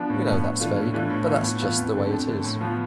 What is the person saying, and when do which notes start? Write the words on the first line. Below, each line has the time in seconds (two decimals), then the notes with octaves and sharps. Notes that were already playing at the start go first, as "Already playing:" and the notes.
We know that's vague, but that's just the way it is.
Already playing: F3 B3 D4
0.10 A2
0.27 F3 B3 D4
0.44 A2
0.60 E3 A3 D4 F4
0.77 A2
0.94 E3 A3 D4 F4
1.10 A2
1.26 E3 B3 F4
1.43 A2
1.60 E3 B3 F4
1.78 F2
1.94 D3 A3
2.11 F2
2.27 D3 A3
2.44 A2
2.61 F3 B3 F4